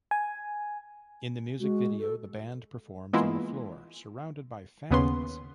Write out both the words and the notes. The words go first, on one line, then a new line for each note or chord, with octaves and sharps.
In the music video, the band performs on a floor surrounded by fans.
G#5
G#3 F#4
A4
E3 G#3 A#3 B3 E4 F4
D#2 C#3 B3 C#4 B4 C6